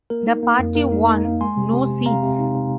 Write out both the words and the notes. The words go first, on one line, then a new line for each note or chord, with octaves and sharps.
The party won no seats.
A#3 A#4
D#4
A#3
F2
A#3 A#4
D#4
D#4
A#3
G#3 G#5 C6
C3
C3
C4
C3 F5 A#5
C3
D#4
C3